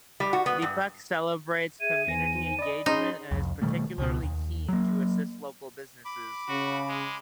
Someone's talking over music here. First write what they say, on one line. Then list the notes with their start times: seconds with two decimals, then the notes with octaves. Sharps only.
Deepak celebrates community engagement and is particularly keen to assist local businesses.
0.20 G3
0.33 F#4
0.46 B3
0.62 G2
1.80 G#4 E5 G#6 D#7
2.07 E2 D#4 C5 G#5 A#6
2.59 D5 D#5 B5
2.86 C#4 D#4 G#4 C6
3.31 C2 F2
3.62 B2 D#3 G3 A3
3.98 C#2 B2
4.23 D#2
4.69 F#3 A#3
6.05 B5 D6
6.49 C#3 F#4
6.89 G#3